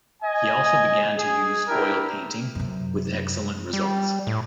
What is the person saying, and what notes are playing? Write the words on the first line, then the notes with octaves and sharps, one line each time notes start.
He also began to use oil painting, with excellent results.
D#5 G#5
G#4
D4 E4 G4 A#4
F#2 C3
G3
A2